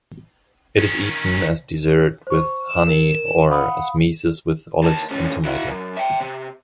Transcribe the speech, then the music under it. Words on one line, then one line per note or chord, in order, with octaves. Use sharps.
It is eaten as dessert with honey or as mezes with olives and tomato.
D#3 C#4
C5 C#6
E7
A#4
F5 F#5 B5 D#6
D#2 A5
D2 C#4
E4 F#4
F#2
E5 G5
C3